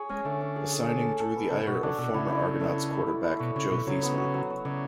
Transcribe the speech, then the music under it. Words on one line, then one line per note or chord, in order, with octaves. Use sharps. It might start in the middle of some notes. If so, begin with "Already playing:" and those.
The signing drew the ire of former Argonauts quarterback Joe Theismann.
Already playing: G#4 C#5
G#3 C#4
D3 A3
C#4
G#4
G#4
A4
A4
A4
B3
C#3 A4
B2 F#4
C#3 D4
B2 A4
C#3 E4
E4
A3
A3
B4
A3
E4
A3
B2 C#5
C#3 C#5
B2 C#5
C#3 F#3
B3
F#4
F#3
C#5
C#3 D5